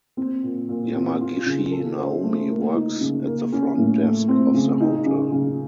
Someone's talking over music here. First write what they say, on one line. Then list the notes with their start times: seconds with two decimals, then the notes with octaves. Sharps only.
Yamagishi Naomi works at the front desk of the hotel.
0.17 C4
0.43 A#2
0.69 A#2
0.95 C4
1.21 F4
1.46 C#3
1.71 A4
1.98 C5
2.24 A3
2.49 A#3
2.75 D#4
3.01 C#3
3.26 A#3
3.52 C#4
3.78 A2
4.03 A3
4.29 C4
4.54 C#3
4.80 D#4
5.06 C#3
5.32 C#3